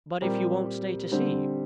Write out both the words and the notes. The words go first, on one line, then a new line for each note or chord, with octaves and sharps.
"But if you won't stay to see!"
A#2 G3 C4 G4 A#4
D3 G3 C4